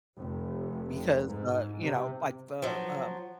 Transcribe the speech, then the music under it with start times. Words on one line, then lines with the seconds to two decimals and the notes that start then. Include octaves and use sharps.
because, uh, you know, like, the, um,
0.19 F1
1.30 G#2
1.82 C3
2.62 F3 F#3